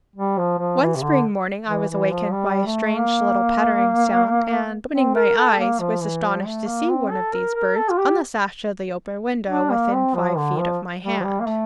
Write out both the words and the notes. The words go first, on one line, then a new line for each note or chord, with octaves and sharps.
One spring morning I was awakened by a strange little pattering sound, and, opening my eyes, was astonished to see one of these birds on the sash of the open window within five feet of my hand.
G3
F3
F3
E3
C3
D3
E3
E3
F3
G3
A3
A#3
C4
A#4
A4
A#3
F3
E3
F3
A3
A#3
C4
A4
A#4
A#4
A4
F4
G4
D4
A#3
C4
F3
D3
F3
G3
F3
G3
A#3
A3